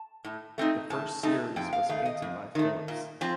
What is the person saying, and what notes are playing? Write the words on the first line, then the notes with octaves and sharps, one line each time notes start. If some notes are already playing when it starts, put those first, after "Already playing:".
The first series was painted by Philips.
Already playing: A5
A2
A3 C4 D#4
A2 A5
A3 C4 D#4 A5
F2 G5
F5
D#3 A3 F5
D#5
F2
D#3 A3
A#2
F3 C4